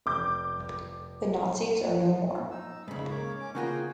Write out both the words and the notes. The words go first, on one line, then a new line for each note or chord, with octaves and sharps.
The Nazis are no more.
F1 D6 G6
D#4 E6
G#2 C#3 B5
A#3 C#5 D6
C#4 D6
C#3 A#3 F4 F#4 G#4 G5